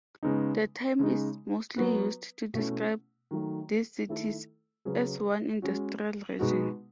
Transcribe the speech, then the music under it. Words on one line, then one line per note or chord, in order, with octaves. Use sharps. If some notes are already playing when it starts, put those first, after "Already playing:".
The term is mostly used to describe these cities as one industrial region.
C#3 G#3 B3 D#4
C#3 G#3 D#4
F#3 B3 F#4 B4
B2 A3 C#4 E4
D#3 F#3 A3
D#3 A3 E4 A4
C#3 F#3 C#4 G#4 B4
G#3 C#4 F#4
B2 G#3 B3 D#4 F#4